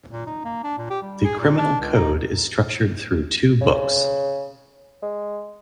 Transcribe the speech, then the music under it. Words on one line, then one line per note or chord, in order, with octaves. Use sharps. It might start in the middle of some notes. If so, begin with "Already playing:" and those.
The Criminal Code is structured through two books.
A#2
D#4
A#3
D4
A#2
G4
G3
G#4
A#2
D4
C#2
D#4
C#3
G#3